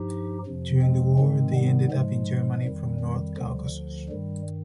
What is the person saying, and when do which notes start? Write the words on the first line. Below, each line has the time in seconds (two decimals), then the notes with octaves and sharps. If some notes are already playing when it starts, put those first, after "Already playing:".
During the war they ended up in Germany from North Caucasus.
Already playing: G2 F3 D#4 G4
0.46 F2 C3 F3
0.82 G#3 C4
1.19 G#2 D#3 G#3 C4
1.55 G3 B3
1.91 G#2 F3 G#3
2.64 F2 D#3 G3
3.00 G3
3.37 D2 D3 F3
4.09 G2 D#3 G3